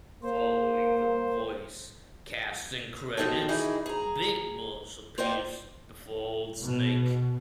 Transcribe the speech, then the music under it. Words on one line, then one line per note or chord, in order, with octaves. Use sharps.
Following the voice casting credits, Big Boss appears before Old Snake.
A#3 C5
B2 F3 D#4 G4 A4
D#3 E3 D#4 E4 G#4
G#4 A#5
A#3 F4 C5 D5 D#5 G5
B2